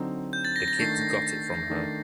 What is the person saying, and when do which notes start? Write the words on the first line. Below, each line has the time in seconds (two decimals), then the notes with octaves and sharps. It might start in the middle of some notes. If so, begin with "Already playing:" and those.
The kids got it from her.
Already playing: D3 F#3 C4 D#4
0.33 G6
0.45 A6
0.56 A#6
0.68 A#6
0.79 D#3 A3 D4 C7
1.70 D#3 A3 D4